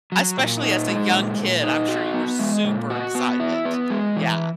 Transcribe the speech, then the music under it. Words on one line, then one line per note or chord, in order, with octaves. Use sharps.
Especially as a young kid, I'm sure you were super excited. Yeah.
F#3
A#2
D#4
G#3
A#2
A#2
D#4
F#4
B3
G#3
A#2
F#4
B3
E4
B3
G#3
E3